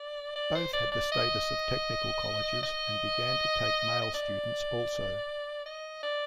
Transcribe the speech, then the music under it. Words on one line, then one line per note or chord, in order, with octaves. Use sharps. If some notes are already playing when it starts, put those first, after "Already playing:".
Both had the status of technical colleges, and began to take male students also.
Already playing: D5
D5
C5
D5
D5
D#5
D#5
D#5
D5
D#5
D5